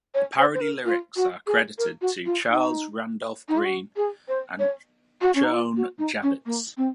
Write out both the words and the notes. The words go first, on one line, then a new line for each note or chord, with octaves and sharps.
The parody lyrics are credited to Charles Randolph Grean and Joan Javits.
C#5
C5
C5
A#4
F4
F#4
G#4
A#4
F#4
F4
D#4
D#4
F4
F#4
G#4
C5
C#5
F#4
C#4
D#4
F4
F#4
D#4
C#4
A#3
C4